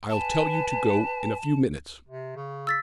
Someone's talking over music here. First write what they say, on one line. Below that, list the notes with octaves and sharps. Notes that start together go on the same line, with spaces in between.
"I'll tell you to go in a few minutes."
B4 G#5 A5
C3
C#3
E6 A6 B6